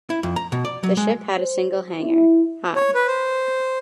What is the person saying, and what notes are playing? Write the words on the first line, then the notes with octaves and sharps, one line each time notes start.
The ship had a single hangar, high.
E4
F2
A#5
B2
D5
F#3
G#3
C5
E4
C#5
B4
C5